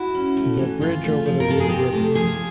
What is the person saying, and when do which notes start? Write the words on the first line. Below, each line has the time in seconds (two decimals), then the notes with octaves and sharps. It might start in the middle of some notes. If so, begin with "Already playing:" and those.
The bridge over the Wu River.
Already playing: E4 F#4
0.15 C#4
0.37 A3
0.59 E3
0.81 C3 F4
1.03 A3
1.26 F3
1.40 A#4
1.48 C3 A4
1.60 G#4
1.70 C3 G4
1.93 A3
2.15 F3 G#4